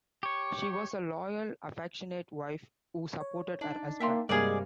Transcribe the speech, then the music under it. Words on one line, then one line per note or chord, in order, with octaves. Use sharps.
She was a loyal, affectionate wife, who supported her husband.
G4 C#5 C#6
C#5
D4 D#4
A#3 E5 G5 C6
G2 C3 G3 G#3 A#3 G#4 D5 G#5